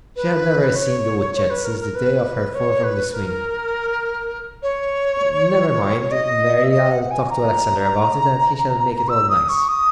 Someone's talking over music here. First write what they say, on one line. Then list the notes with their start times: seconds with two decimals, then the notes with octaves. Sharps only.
She had never seen the wood-shed since the day of her fall from the swing. "Never mind, Mary, I'll talk to Alexander about it, and he shall make it all nice."
0.16 B4
0.75 C#5
1.35 C#5
1.50 B4
1.65 A#4
1.80 A#4
1.95 B4
2.54 C#5
2.84 B4
3.14 A#4
4.63 C#5
6.11 D#5
6.63 E5
6.71 D#5
6.91 F#5
7.11 G#5
7.30 A#5
9.08 E6
9.29 D#6
9.49 C#6
9.68 D#6